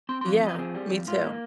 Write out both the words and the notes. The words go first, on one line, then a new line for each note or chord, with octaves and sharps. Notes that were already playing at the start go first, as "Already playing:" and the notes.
Yeah. Me too.
C4 C6
C6
F3
F2 D#5
A#4
C4 G#4
G3
F2
G#2 F4
A#3